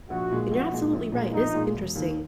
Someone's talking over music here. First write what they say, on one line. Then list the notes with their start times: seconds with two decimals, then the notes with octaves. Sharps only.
and you're absolutely right, it is interesting.
0.10 A#1 F#4
0.31 A#2 G#3
0.51 A#1 F#4
0.71 A#2 G#3
0.93 A#1
1.12 A#2 G#3
1.33 A#1 D#4
1.53 A#2 G#3
1.75 E1
1.95 D#2 D#3